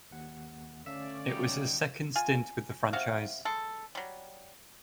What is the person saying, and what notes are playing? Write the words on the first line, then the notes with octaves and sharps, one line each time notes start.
It was his second stint with the franchise.
D#2 F#5
D3 A3 C#4 D5 E5 F5
F#3 D#4 G4
F4 G#5
C3 F#4 F5
G#3 A4
F#3 G3